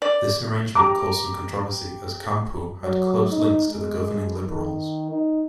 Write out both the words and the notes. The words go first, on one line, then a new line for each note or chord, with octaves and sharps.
This arrangement caused some controversy as Campeau had close links to the governing Liberals.
D5
G4 A#5 D6
F#3
D#4
G#3
D#3
D#4